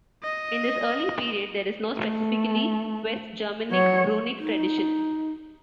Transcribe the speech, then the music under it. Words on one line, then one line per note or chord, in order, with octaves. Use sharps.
In this early period, there is no specifically West Germanic runic tradition.
D#5
A3
F#3 C#5
D#4